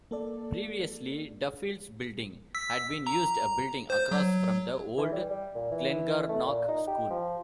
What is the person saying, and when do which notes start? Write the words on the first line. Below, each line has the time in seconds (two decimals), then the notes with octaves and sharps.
Previously "Duffield's Building" had been used, a building across from the old Glengarnock School.
0.11 A#3 A4 D5
2.55 E6 B6
3.07 A#5
3.90 C5 G6
4.11 F#3
4.98 E3
5.12 G3
5.30 G3
5.55 A#2
5.71 E3
6.28 A3
6.46 A#2
6.68 D#4
6.87 G4
7.11 F3